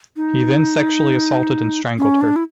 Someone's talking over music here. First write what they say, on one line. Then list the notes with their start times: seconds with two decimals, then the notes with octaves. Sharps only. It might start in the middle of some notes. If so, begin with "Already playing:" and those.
He then sexually assaulted and strangled her.
0.17 D#4
1.98 C#4
2.21 D4
2.36 E4